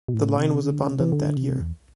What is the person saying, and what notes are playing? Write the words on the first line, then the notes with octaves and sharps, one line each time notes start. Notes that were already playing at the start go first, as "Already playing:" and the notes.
The line was abandoned that year.
B2
A2
C3
D3
C3
E3
D3
C3
E2